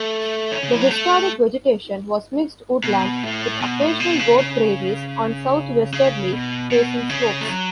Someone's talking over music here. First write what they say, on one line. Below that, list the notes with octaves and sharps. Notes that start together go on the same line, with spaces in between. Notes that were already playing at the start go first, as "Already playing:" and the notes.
The historic vegetation was mixed woodland, with occasional goat prairies on southwesterly facing slopes.
Already playing: A3
C#4
C#3
E3
F#3
A3
B2
A2
B2
A2
B2
C#3
C#3
C#3
B2
B2
C#3
A3
F#3